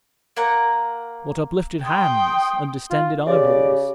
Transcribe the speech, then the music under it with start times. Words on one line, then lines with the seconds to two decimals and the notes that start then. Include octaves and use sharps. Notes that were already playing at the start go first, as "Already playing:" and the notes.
What uplifted hands and distended eyeballs!
0.36 A#3 F#5 A#5
1.84 G5 C6 D#6
2.90 F4
3.27 C#3 G4 D5